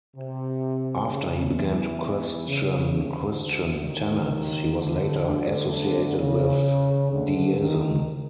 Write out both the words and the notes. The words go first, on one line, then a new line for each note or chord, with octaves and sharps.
After he began to question Christian tenets he was later associated with Deism.
C3
C#3
E2 E3
C#3
D2 D3
D#2 D#3
D2 D3
D2 D3
C#3
D2 D3
D#2 D#3